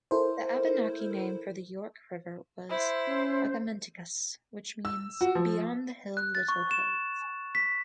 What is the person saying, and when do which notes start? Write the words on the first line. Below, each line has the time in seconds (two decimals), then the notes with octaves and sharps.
The Abenaki name for the York River was "Agamenticus", which means "Beyond-the-hill-little-cove".
0.11 E4 A4 A#4 C5
2.70 E4 C5
3.08 C#4
4.85 E6
5.21 F#4
5.35 F3
6.17 F#6
6.35 A6
6.49 C#6
6.71 E7
7.55 B6